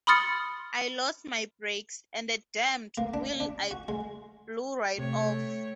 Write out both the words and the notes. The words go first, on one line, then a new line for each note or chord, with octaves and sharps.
I lost my brakes, and the damned wheel blew right off.
B5 C6 D#6 F6 A6 C#7
A#3
D4
D4
F#4
G#3
C3 A3 C#5 G5